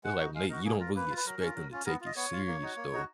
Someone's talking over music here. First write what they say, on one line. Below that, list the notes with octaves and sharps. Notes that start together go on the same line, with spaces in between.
it's, like, "Mate, you don't really expect them to take it serious, though."
G#3 F#5
D#4 F#4
G#3 F5
D#4 F#4 A#4
A#3 G#4
F4 A#4
A#3 B4
F4
B4
F#3 A#4
C#4 F4
F#3
C#4 F4
B3 A#4
F4
D#5
B3 C#5
F4
A#3
D#4 F#4
A#3
D#4 F#4